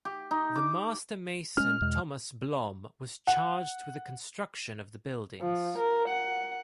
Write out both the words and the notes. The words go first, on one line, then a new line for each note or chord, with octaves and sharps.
The master mason Thomas Blom was charged with the construction of the buildings.
G4
D#4
D6
G#3 C#4 F6
E2 B2 G#3
F#5
F3
A#4
F#5